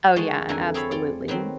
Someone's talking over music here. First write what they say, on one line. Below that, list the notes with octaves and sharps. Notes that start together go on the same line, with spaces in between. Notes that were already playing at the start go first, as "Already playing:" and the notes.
Oh, yeah, absolutely.
D#3 G#3 F4 F#4 D#5 A5
F2 D3 E3 A#4 F#5 G#5
C4 G#4 A4 C#5 F5 B5
F4 D5
D#3 F#3 B3 C4